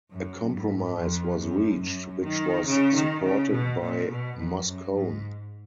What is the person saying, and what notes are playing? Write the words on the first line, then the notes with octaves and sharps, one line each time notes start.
A compromise was reached which was supported by Moscone.
F#2
G#2
F2
F#2
F#2
D#3
C#3
D#3
C#3
B2
A#2
B2
F2
F#2
G#2